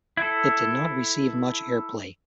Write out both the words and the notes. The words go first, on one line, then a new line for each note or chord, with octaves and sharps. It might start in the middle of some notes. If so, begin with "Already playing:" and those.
It did not receive much airplay.
E4 A4